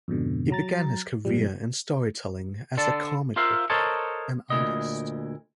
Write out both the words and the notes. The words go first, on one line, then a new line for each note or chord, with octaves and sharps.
He began his career in storytelling as a comic book writer and artist.
F2 G#2 B2 D3
F#3 A#5 A6
G#2 B2 F3 G3
D3 D4 A4 A5
F4 A#4 C5 E5 F5
A4 A#4 C5 C#5 D#5 A5
D2 A#2 E4 D#5